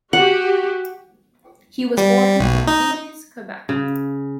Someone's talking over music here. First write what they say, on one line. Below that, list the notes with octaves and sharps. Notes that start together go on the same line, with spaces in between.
He was born in Grondines, Quebec.
F#4 G4 F#5
G3
B1
D#4
C#3